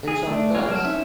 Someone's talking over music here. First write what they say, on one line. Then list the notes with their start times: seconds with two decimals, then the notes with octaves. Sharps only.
Who's on First?
0.08 G#4
0.27 A3 D4
0.55 G3 G#3 A#3 F4 C#5
0.70 F#3 A#4 A5 F6
0.84 C4 C#4 D#4 E4 E5